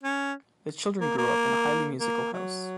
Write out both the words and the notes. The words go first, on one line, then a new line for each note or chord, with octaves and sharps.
The children grew up in a highly musical house.
C#4
A#3
A#3
A#3
F#3